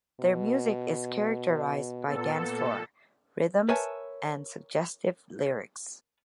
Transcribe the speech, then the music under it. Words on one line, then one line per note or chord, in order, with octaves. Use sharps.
Their music is characterized by dancefloor rhythms and suggestive lyrics.
B2
A#2 B3 A4
A#4 B4 C#5 E5 G#5 A5